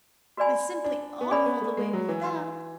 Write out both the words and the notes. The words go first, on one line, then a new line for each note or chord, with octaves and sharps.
It was simply awful the way we felt.
F#4 B4 D5 G#5 B5
D4
B3
C#4 G#4 B4 D5 G#5 B5
B3
A3
G#3
F#3
E3
D4 F#4 B4